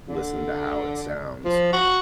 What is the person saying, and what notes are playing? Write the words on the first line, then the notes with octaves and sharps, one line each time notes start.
listen to how it sounds.
D3
F3
F#4